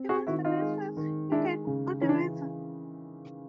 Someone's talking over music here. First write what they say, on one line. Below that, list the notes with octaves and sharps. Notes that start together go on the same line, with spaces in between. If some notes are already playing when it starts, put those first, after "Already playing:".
He puts the best face he can on the matter.
Already playing: C4
F#4 G#4
D#3 E4 F#4
D#4 F4
G#3
D#3
G#3 D4 E4
C#3
E3 C#4
D4